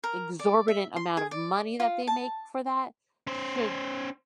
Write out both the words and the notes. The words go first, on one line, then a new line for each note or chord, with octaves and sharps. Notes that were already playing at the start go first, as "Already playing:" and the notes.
exorbitant amount of money that they make for that should
A#4
D5
E5
C6
G#4
D5
F4
A5
C#4 C5